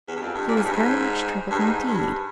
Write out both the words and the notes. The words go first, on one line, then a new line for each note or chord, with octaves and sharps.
He was very much troubled, indeed.
E2
G2
F2
G2
A#2
G#2
G2
G#2
G2
G#2
G2